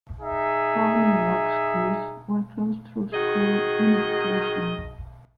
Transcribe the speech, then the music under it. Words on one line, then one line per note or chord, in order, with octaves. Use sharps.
Pawnee Rock schools were closed through school unification.
D#4 G#4 E5
D#3 F#4 G#4 D#5